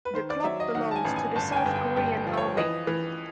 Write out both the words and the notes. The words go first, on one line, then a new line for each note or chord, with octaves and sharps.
The club belongs to the South Korean Army.
B4
D#3 C5
D5
F#3 E5
D#5
D#3 F#5
A5
G#5
A1
G#5
G1 A5
G#5
G5
G1
G5
G1 G5
F3
C#5
E3 D#5
E3